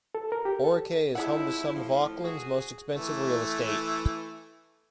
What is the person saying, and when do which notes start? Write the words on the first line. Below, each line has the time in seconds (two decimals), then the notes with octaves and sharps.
Orakei is home to some of Auckland's most expensive real estate.
0.15 A4
0.32 A#4
0.45 G4
0.64 A4
1.15 F2 G3 G#3 E4 C#5 F#5
1.74 A2 F3
2.24 F#4 G#4
2.96 E3 A3